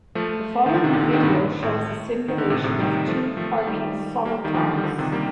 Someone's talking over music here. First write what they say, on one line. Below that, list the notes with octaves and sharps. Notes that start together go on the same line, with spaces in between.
The following video shows a simulation of two parking solitons.
F3 A3
D#3
D3 F3
C3 D#3
A#2 D3
A#2 D3
C3 D#3
G2
A2
D#3
D3
A2 C3
A2 C3
D#3 G3
F3 A3
F3 A3
A3
D#3 G3
G3 A#3
D#3 G3
D3 F3
G3
D3 F3
C3 D#3
G3 A#3